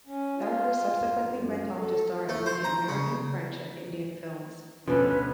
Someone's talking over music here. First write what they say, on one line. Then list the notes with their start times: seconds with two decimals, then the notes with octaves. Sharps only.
Dharker subsequently went on to star in many American, French and Indian films.
0.07 C#4
0.38 F4
1.27 F#2
1.79 A4
2.29 A3
2.46 C5
2.64 A#5
2.88 C#3
4.88 D2 B2 D3 F3 A3 C#4 B4